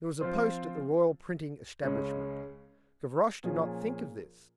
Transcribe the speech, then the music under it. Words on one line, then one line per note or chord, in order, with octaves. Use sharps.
There was a post at the Royal Printing Establishment. Gavroche did not think of this.
F3 C4 F4 C5
C#2 C#3 G#3 C#4
A#2 F3 A#3 C#4 G#4